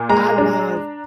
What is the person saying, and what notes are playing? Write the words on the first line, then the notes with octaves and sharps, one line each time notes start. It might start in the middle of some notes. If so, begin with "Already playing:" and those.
I love,
Already playing: A#2
G#3 A#5
D4